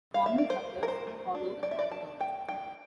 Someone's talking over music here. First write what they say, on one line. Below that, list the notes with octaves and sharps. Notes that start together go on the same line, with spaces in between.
Formal suppers follow a standard order.
F5
E5
D5
A3 C5
D4 A#4
C5
A3
D4
A3 D5
E5
D5
D4 A5
A3 G5
D4 G5